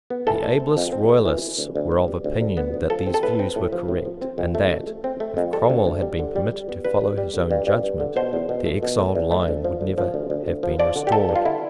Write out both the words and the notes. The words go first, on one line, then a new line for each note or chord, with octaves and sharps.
The ablest Royalists were of opinion that these views were correct, and that, if Cromwell had been permitted to follow his own judgment, the exiled line would never have been restored.
B3
E3 A4
A3
C4
F2
C4
A3
E3
E3
D2
D2
B3
G3
D2
D2
B3
D2
F3 A4
C4
A4
A2 B4
C4
A2
F3
A2
F3
C4
F2
A3
A3
A3
C4
A3
F2
G3 A4
D2
D2
G3
D3
G3
G3
B3
G2 B4
G3
G3
D3
G2
G2
G2
D3
B2 C5
E2
B2
A3
B2
A3
E2
A3
D2
F3
D2
F3
D2
D2
D2
F3
F3 D5
D3
G4
G2 A4
G2
F4
D3 E4